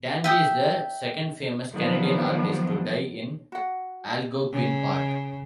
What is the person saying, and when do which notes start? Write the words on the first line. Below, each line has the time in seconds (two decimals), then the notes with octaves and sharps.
Danby is the second famous Canadian artist to die in Algonquin Park.
0.24 E5 G5 D#6
1.72 D#3 F3 F#3 B3 D4
3.52 F#4 F#5
4.52 C#3